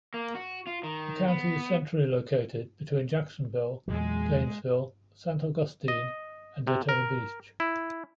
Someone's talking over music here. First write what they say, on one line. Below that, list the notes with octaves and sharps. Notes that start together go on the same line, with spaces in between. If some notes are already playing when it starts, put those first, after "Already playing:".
The county is centrally located between Jacksonville, Gainesville, Saint Augustine, and Daytona Beach.
A#3
F#4
F4
D#3
B3
E2 A#2 F#3 G#3
D#5
C3
A#4
E4